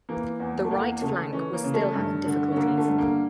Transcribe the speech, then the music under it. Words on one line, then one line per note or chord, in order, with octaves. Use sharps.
The right flank was still having difficulties.
E3 A#3
E2
A3
E2 A#3
C#3 A3
E3 C#4
A#3
C#3
A3
G2
D3
C#4
D3 A#3
A3
G2
A#3